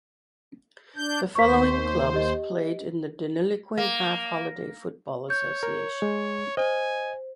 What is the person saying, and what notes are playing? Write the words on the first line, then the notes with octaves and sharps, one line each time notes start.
The following clubs played in the Deniliquin Half Holiday Football Association.
D4 G6
D#2 C5 C#6 B6
G4 D#5
A#3
C#5 G6
A#4
G#3
C5 D#5 G#5